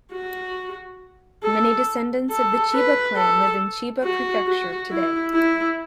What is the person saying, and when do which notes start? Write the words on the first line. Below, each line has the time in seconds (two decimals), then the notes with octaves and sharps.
Many descendants of the Chiba clan live in Chiba Prefecture today.
0.12 F#4
1.43 A4
2.30 A4
2.73 B4
3.16 A4
4.03 F#4
4.47 F#4
4.90 E4
5.34 E4